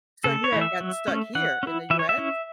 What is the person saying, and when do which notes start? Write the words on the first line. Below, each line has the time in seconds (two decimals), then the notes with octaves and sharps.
So you had gotten stuck here in the US?
0.24 C#3 A4
0.44 C#5
0.52 E3 A3 E4
0.61 E5
0.80 F#3
1.08 A3 C#4
1.35 E3 F#5
1.63 C#4
1.67 E4
1.90 E3 E5
1.99 C#5
2.09 E5
2.18 C#4 E4